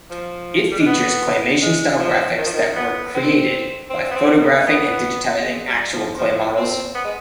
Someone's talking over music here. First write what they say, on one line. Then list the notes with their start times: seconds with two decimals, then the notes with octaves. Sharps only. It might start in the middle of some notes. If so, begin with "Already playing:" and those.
It features claymation-style graphics that were created by photographing and digitizing actual clay models.
0.10 F3
0.71 G3
0.79 G#3
0.86 B3
1.62 G#3
2.00 F3
2.38 D#3
2.46 F3
2.53 D#3
2.76 B3
3.15 C4
3.90 C4
4.11 B3
4.16 C4
4.41 B3
4.59 G#3
4.67 B3
5.42 G#3
5.68 G3
5.93 F3
6.18 F3
6.57 C4
6.95 B3
7.05 G#3